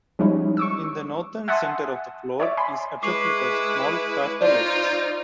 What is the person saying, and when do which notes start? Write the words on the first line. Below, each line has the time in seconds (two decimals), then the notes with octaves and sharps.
In the northern center of the floor is a triplet of small craterlets.
0.19 F3 G3 G#3 C#4 D#4 E4
0.57 C#6 D6 E6
1.48 E5 F#5 G#5 A5 C6 D#6
2.40 C#5 D5 E5 D6
2.57 G#5 B5 C6
3.03 G#3 E4 B4 C#6 D6 C7
4.41 D#4 F4 C5 D5